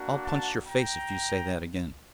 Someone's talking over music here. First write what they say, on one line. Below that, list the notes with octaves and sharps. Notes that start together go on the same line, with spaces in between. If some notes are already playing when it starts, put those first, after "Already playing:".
I'll punch your face if you say that again!
Already playing: A#3 D4 F#4
F#5 A5
G5 A#5